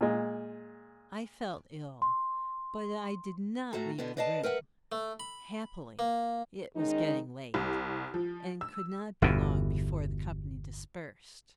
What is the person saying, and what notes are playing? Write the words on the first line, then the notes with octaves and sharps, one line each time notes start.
I felt ill; but I did not leave the room: happily, it was getting late, and could not be long before the company dispersed.
A#2 G#3
C6
A2 F#4 A4 A#5
B2 D3 B3
B4 D5 D#5 F5 G5 A5
A#4 B4 E5 F#5
A3
B5
A#3
D#3 G#3 C#4 D#4
C2
F3
E6
G1 E2 B2